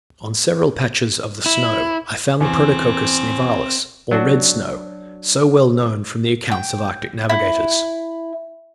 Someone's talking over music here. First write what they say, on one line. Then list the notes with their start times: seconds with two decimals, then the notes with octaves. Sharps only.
On several patches of the snow I found the Protococcus nivalis, or red snow, so well known from the accounts of Arctic navigators.
1.46 E4
2.40 E2 C4
4.11 F#3 D4 F#4
6.51 G5
7.29 E4